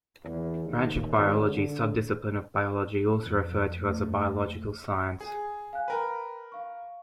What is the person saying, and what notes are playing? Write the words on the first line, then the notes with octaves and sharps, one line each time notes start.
Branch of biology - subdiscipline of biology, also referred to as a biological science.
E2
D#2
G#1
D3
F2 F#6
A2
G#4
F5 G#5 F#6
A#4 B4 G5
F5 C#6